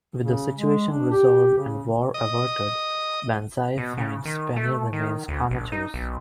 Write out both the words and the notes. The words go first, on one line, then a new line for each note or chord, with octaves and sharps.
With the situation resolved and war averted, Banzai finds Penny remains comatose.
C#3
G#3
D4
G4
C#3
D#5
B2
C#3
D#3
A3
D#3
D2
A#1
D#4
B1